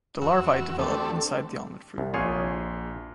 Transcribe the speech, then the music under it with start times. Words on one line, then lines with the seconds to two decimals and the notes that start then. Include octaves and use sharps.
The larvae develop inside the almond fruit.
0.21 E2 F#4 E6
0.79 A3 C4 D4 G4 A4
1.98 C2
2.14 A#1 F4 G#4 C#5 C6